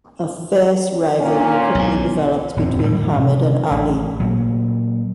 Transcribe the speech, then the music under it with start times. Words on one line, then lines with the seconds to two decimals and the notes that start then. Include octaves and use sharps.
A fierce rivalry quickly developed between Hamid and Ali.
1.21 A#2 C#4
1.75 B1 G#2
2.57 D#1 F2 A2 C4
2.83 A2 D3 G3
3.18 C3
3.71 A1
4.20 A#2 F#3